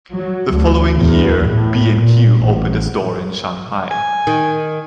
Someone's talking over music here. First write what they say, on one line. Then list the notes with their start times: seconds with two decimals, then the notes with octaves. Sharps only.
The following year, B and Q opened a store in Shanghai.
0.13 F#3
0.54 D2
0.97 E2
1.48 A2
1.98 A#2
2.42 A1
3.90 G#5
4.27 D#3